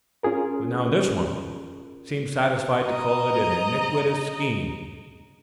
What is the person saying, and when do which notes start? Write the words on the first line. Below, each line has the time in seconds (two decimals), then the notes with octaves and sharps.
But now this one seems satisfied to call it an 'iniquitous scheme'.
0.23 C#4 F4 G#4 A#4
2.84 D#5 A#5